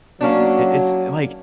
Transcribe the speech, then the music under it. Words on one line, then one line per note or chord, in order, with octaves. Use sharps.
It it's like,
F#3 A#3 C#4 D4